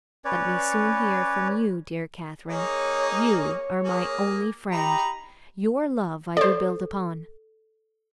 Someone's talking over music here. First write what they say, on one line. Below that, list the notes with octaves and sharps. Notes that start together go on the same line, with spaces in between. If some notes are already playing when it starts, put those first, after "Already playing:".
Let me soon hear from you, dear Catherine; you are my only friend; your love I do build upon.
C#4 B4 C#5 D5
A#3 D#4 G#4 C#5
C#5
A#3 G#4
D#4 G4 A#5 B5
A4 C5 D5